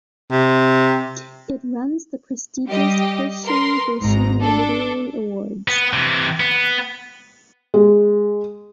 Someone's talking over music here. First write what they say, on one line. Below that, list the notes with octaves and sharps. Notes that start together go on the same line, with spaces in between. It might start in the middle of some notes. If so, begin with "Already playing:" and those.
It runs the prestigious Hooshang Golshiri Literary Awards.
C3
G3 G4 D#5
A#4 B4 C6
G#1 G#2 A#5
D4 A4
B3
C3 E3
B3
G#3